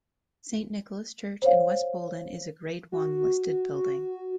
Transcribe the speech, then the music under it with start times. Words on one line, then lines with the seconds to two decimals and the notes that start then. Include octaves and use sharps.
Saint Nicholas Church in West Boldon is a Grade One listed building.
1.42 C5 C#5 F5
2.92 F#4